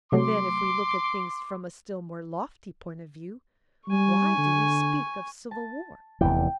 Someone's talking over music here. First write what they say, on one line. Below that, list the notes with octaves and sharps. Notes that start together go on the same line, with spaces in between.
And then if we look at things from a still more lofty point of view, why do we speak of civil war?
C3 F#3 A3 C6 D6
G3 G#5 C#6
D3
A5
F1 E2 E3 G5